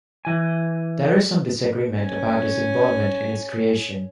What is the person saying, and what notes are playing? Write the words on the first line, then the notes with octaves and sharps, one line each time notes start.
There is some disagreement about his involvement in its creation.
E3 G#5
C#4 G#5